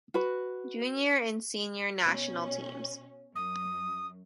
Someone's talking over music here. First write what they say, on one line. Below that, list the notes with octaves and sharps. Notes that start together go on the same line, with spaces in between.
Junior and Senior National Teams.
F#4 B4
B2 C#4
F#2 D#6